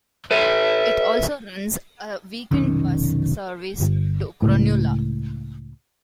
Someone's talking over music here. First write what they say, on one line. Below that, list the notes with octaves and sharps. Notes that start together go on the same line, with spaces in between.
It also runs a weekend bus service to Cronulla.
A4 B4 E5
F1 B1 D#3 C#4
G1
C#2 A2